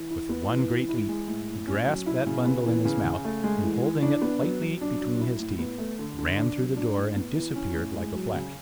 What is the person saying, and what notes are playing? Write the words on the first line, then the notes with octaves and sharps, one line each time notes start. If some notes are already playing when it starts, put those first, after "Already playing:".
With one great leap, he grasped that bundle in his mouth and, holding it lightly between his teeth, ran through the door and disappeared like a flash!
Already playing: E3
E4
B3
E3
E3
E4
G#3
A2
A2
C#4
F#3
E4
C#3
B3
E3
C#3
C#3
A3
G#3
E3
E3
D4
B3
F#3
F#3
D4
F#3
E4
A2
B3
A3
D3
D3
D4
F#3
D4
A2
B3
E3
C#4
A2
G#3
F#3
C#3